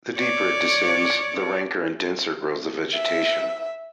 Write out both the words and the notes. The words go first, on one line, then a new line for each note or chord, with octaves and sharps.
The deeper it descends, the ranker and denser grows the vegetation.
C#5 D5
E5